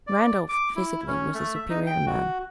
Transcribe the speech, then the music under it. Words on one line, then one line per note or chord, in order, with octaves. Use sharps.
Randolph, physically, was a superior man.
D5
D6
E4
C#4
A3
E5
D#4
G5
F#4